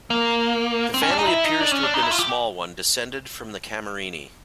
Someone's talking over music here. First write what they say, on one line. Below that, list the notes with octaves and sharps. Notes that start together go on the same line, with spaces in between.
The family appears to have been a small one, descended from the Camerini.
A#3
C4
C#4
D4
D#4
E4
D#4
D4
C#4
D4
D#4
E4
F4
G4